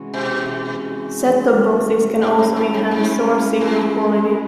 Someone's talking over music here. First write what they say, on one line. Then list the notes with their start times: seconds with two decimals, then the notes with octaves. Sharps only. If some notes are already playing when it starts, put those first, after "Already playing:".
Set-top boxes can also enhance source signal quality.
Already playing: C3 E3 G#3 C#4 F#4
0.13 B2
2.22 G#2 G#3 C#4 E4
2.39 A2
2.56 G#2
2.74 G#2
2.91 G#2
3.61 A2